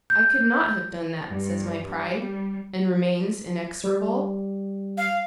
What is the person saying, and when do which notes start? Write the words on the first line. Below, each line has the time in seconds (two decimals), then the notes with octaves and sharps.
"I could not have done that," says my pride, and remains inexorable.
0.10 G6
1.28 G2
2.09 G3
3.84 G3
4.97 F5